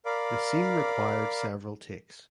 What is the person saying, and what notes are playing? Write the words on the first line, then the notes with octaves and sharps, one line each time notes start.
The scene required several takes.
A#4 D5 F5 B5 D6